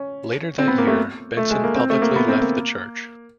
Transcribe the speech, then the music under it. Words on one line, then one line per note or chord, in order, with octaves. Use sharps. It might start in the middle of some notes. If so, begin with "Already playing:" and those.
Later that year, Benson publicly left the church.
Already playing: C#4
C4
B3
A#3
A3
A3
G#3
A#3
C4
A3
A#3
B3
C4
A#3